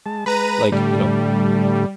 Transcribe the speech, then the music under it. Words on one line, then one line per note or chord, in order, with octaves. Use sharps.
like, you know,
G#3 A5
G#3 B4 A#5 D#7
A2 D3 G3 A3